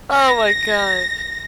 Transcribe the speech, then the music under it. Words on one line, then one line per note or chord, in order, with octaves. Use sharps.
Oh my God.
A#6